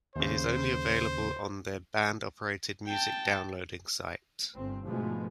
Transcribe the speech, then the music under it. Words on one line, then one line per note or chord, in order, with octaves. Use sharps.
It is only available on their band-operated music downloading website.
D#2 C#3 C5
G5 A5
G1 C4
G#2 B2 D3 F3 G#3 A3